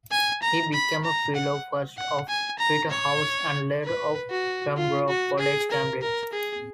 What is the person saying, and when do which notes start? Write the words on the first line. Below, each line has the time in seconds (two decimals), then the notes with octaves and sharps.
He became a Fellow first of Peterhouse, and later of Pembroke College, Cambridge.
0.11 G#5
0.42 A#5
0.73 B5
1.04 A#5
1.35 F#5
1.97 F#5
2.29 G#5
2.59 A#5
2.91 C#5
3.84 B4
4.31 F#4
4.77 F4
5.08 F#4
5.39 G#4
5.71 A#4
6.02 A#4
6.33 G#4